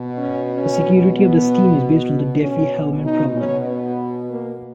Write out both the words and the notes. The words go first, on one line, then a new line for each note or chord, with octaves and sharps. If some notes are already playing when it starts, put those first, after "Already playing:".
The security of the scheme is based on the Diffie-Hellman problem.
Already playing: B2
C#4
C#4
B3
B2 C#4
D#4
C#4
B3
A#3